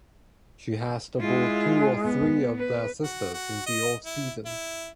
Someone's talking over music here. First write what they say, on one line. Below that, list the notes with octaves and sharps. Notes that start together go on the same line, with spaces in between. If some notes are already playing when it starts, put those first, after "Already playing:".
She has to board two or three of her sisters in the off season.
G#3 E4 F4
B3
B4
F#4
F#4
D#5
E4
E4